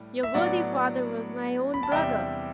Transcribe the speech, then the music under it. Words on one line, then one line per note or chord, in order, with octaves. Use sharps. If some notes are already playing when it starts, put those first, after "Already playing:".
Your worthy father was my own brother.
Already playing: A2 G3
E5
A2 F#3 B3 D4 D5 F#5
B5
A5
E2 C3 G3 D4 E5 G5